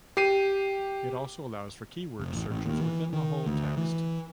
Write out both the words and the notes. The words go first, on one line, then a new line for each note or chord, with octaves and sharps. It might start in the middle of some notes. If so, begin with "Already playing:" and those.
It also allows for keyword searches within the whole text.
G4 C7 D#7
F1
A1
A1
D#2
E3
D#3
D2
E3